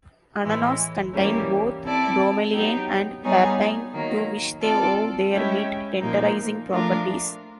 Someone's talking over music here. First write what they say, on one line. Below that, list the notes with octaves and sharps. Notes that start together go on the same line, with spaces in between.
Ananas contain both bromelain and papain to which they owe their meat tenderizing properties.
A2 E3 G#3
E3 G3 A#3 C#4
C4 E4 A4 D5
F#3 B3 D#4 G4
G3 B3 D#4 G#4 C#5
D#3 F#3 A#3
C4 F4 A4 D5
G#3 C#4 E4 G4
A#2 F3 A#3 D#4
F3 A3 D4 F4 A#4